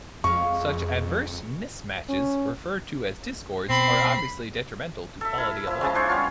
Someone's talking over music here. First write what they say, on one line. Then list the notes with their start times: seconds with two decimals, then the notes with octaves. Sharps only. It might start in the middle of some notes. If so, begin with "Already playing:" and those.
Such adverse mismatches, referred to as discords, are obviously detrimental to quality of life.
0.24 F2 G#3 F5 C#6
2.09 C#4
3.70 B2 C4 B5 C7
5.21 A4 E5
5.38 E4 A#4
5.67 F3 E4
5.81 C#3 G#3 A5
5.95 D4 C5 C#5
6.08 G3 B3 C#4 F4